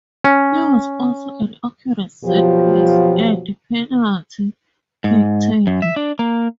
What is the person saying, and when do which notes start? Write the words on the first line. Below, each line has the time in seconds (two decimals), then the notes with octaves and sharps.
He was also an accurate set piece and penalty-kick taker.
0.24 C#4
2.24 F2 B2 F3 F#3 F4 G4
5.04 G#2
5.67 F#2
5.82 E5
5.96 D4
6.19 A#3